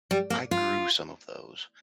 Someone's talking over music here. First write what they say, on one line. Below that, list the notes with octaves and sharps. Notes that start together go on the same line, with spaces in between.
I grew some of those.
G3
A#3
F4